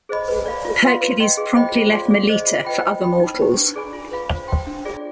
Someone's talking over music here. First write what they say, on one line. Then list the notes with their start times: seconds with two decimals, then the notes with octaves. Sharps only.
Hercules promptly left Melite for other mortals.
0.09 G#4 C5 D#5 B5
0.28 B4
0.46 D5 F5 B5
0.65 F4
0.82 B4 F5 C6
1.01 B4
1.20 D#5 G5 C6
1.37 G#4
1.56 C5 D#5 G5 B5
1.75 F4
1.93 G#4 D5 F5 C6
2.11 G#4
2.29 C5 D#5
2.47 F4
2.65 B4 D#5 G5 B5
2.83 C5
3.02 G5 B5
3.20 D#4
3.39 G4 B4
3.57 D4
3.76 G#4 D5 G#5 B5
3.93 F4
4.11 B4 F5 B5
4.30 C5
4.48 G5 C6
4.67 D4
4.85 F4 G#4 D5